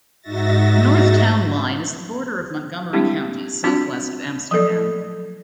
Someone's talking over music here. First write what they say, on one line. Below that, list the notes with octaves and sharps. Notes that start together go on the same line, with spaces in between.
The north town line is the border of Montgomery County, southwest of Amsterdam.
G#2 D#4 F#4 E5 A6 A#6
G3 G#3 C4 D4 E4 G4
C4 D4 F4 F#4
F3 F#3 A4 D5